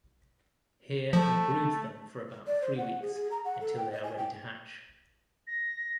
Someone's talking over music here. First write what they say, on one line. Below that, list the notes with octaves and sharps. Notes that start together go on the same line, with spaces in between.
Here he broods them for about three weeks until they are ready to hatch.
F3 A3
D5
C5
F#5
G#4
G#4
A#5
F#5
A4
G5
D#5
G#5
G5
A#6